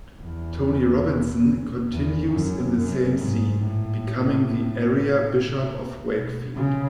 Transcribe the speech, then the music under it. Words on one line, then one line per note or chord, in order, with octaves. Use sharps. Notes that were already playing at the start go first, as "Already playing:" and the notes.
Tony Robinson continues in the same See, becoming the area Bishop of Wakefield.
E2
E2
F#2
F#2
G#2
A2
B2
C#3